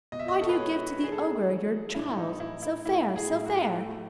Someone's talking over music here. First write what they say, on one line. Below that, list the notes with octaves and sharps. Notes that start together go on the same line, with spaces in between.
Why do you give to the ogre Your child, so fair, so fair?
B2 D#5
E5
D#5
A4
B4
G#3 C#5
G#3 G#4
A4
G#4
E3
A2 E4
E4
D#4
D#4
A2 E4
E4
A3 E4
G#4
A2
F#4
A3